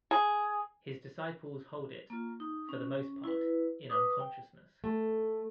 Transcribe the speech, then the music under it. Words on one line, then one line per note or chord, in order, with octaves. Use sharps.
His disciples hold it, for the most part, in unconsciousness.
G#4
A#3 F4
D#4
C#4
E4 B4
B4 D6 D#6
G5
A3